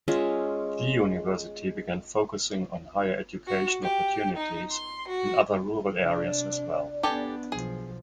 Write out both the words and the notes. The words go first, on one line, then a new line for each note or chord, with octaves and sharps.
The university began focusing on higher education opportunities in other rural areas as well.
G#3 C#4 F4 E5
F#4
G4
D#4
C6
F#4
C3 D4 D5
B3 D4 G4 A4 G#5
B1 F3 G#4